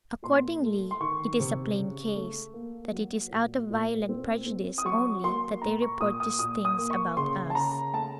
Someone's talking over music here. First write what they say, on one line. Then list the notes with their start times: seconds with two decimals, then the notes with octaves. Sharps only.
Accordingly, it is a plain case, that it is out of violent prejudice only that they report these things about us.
0.23 A#2 C6
0.62 A3
0.91 C6
1.00 D#3 C#6
1.39 C3
1.77 C#3
2.16 A3
2.54 A#3
2.93 F#3
3.31 A#2
3.70 A#2
4.09 C4
4.46 C4
4.78 D#6
4.85 F#3 C#6
5.23 A#3 C6
5.62 A#2 A#5
5.82 C#6
6.00 A#2 D#6
6.20 D#6
6.39 A#2 D#6
6.65 D#6
6.78 A#3
6.91 C#6
7.16 C#3 C6
7.50 A5
7.55 C#3 A#5
7.93 A3 A5